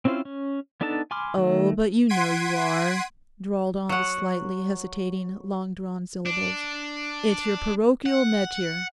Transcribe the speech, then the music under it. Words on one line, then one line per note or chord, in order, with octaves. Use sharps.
'Oh, but you know you are,' drawled on the slightly hesitating long-drawn syllables; 'it's your parochial metier.
C4 C#4 E4 F4 C5
C#4
B3 D4 D#4 A4 A5
G#5 B5 C6 D6 F6
D#3 A3
F#5 C6 G#6 B6 D7 D#7
F#3 F#5
D4
F#5